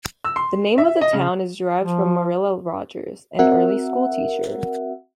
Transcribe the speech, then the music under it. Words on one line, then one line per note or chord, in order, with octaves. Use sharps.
The name of the town is derived from Marilla Rogers, an early school teacher.
E6
C6
E5
D#5
C#3
F3
C4 F#4 A#4 E5 F#5